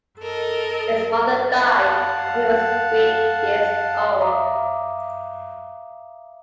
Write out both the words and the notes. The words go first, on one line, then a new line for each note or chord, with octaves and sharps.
His mother died when he was three years old.
A4 A#4 D#5
F5 F#5 A5
E5 F5 A#5 D6 D#6